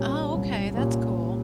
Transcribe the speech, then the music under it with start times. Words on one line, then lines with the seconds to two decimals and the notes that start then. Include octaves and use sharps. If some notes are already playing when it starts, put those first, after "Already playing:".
Oh, okay, that's cool.
Already playing: C2 A#2 G3 A#3 C#4
0.34 C2
0.77 A#2 G3 A#3 C#4